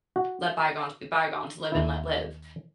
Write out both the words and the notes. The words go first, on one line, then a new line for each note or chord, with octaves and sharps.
let bygones be bygones? Live and let live."
F#4
D#2 E4